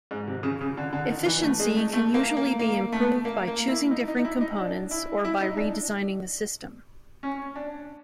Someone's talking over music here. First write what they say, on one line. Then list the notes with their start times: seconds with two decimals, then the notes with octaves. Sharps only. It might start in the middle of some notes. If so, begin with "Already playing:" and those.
Efficiency can usually be improved by choosing different components or by redesigning the system.
0.11 G#2
0.28 C3
0.43 C#3
0.61 C#3
0.77 D3
0.93 D3
1.10 D#3
1.26 E3
1.42 A3
1.60 G#3
1.76 A3
1.93 A3
2.14 A#3
2.37 A#3
2.59 A#3
2.92 A3
3.25 A#3
3.47 A#3
3.69 E4
3.91 D#4
4.08 D#4
4.19 D#4
4.24 E4
4.41 D#4
4.58 D4
4.91 E4
5.25 E4
5.41 D#4
5.57 D4
7.23 C#4
7.56 D4